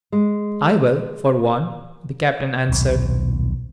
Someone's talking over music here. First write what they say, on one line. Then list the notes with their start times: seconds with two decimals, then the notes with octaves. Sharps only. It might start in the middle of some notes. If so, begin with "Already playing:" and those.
"I will, for one," the Captain answered.
0.12 G#3
2.69 D#1 B1